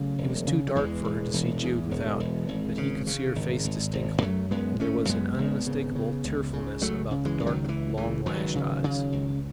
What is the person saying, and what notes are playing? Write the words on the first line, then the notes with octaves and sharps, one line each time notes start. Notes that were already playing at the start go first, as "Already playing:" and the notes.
It was too dark for her to see Jude without, but he could see her face distinctly, and there was an unmistakable tearfulness about the dark, long-lashed eyes.
Already playing: C#3 F#3 A3
E1
C#3
F#3
E2 E3 G#3
E1
E1
E2
E1
E1
G#1
C#3
C#3
G#1
G#1
G#1
F#2 F#3 A3
F#2 G#3 B3
G#1 A3 C#4
F#2 G#3 B3
G#1
C#3
C#3
C#2
C#3
C#2 F#3 A3
C#3
E3 G#3
C#2
D#3 F#3
F#3
C#2 E3
C#3 E3
C#2 D#3 F#3
C#3
C#3
C#2